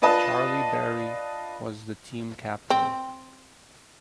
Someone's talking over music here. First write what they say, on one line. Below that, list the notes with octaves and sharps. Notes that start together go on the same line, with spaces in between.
Charlie Berry was the team captain.
D4 F4 B4 D#5 A5
C4